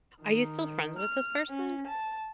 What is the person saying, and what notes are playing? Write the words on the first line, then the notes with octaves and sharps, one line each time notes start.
Are you still friends with this person?
D#3
F6
C#4
A5